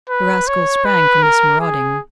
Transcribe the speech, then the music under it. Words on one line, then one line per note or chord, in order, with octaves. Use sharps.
The rascal sprang from this marauding.
B4
C#5
B4
A#4
G#4